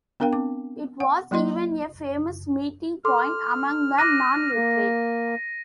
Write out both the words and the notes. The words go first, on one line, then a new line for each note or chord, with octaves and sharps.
It was even a famous meeting point among the non-literate.
B3 D4 A#4 F5 G5
C4 D6
F#5
F#3 A#3 E4 D#5 C6
A4 C6 D6 F6
D6 F#6 A#6 D#7
A#3